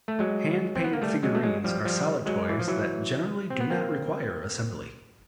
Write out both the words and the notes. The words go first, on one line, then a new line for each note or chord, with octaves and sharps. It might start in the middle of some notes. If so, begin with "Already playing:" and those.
Hand-painted figurines are solid toys that generally do not require assembly.
A3
F#3 G#3
C4
B3
A#3
G3 A3
F#3 G#3
A3
F#3 G#3
F3 G3
F3 G3
F#3 G#3
E3
F3
E3 F#3
C4
B3
A#3 C4